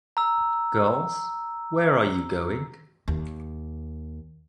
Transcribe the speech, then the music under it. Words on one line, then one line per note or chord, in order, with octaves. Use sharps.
Girls, where are you going?
A#5 E6
D#2